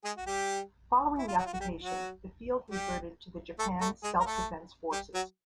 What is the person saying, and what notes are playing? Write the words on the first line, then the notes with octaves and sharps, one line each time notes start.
Following the occupation, the field reverted to the Japan Self-Defense Forces.
G#3 G#4
F#4
G3 G4
E4
F4
F#3 F#4
F4
F#4
G3 G4
F#3 F#4
G3 G4
A3 A4
A3 A4
G#3 G#4
A#4
A3 A4
G3 G4
F#3 F#4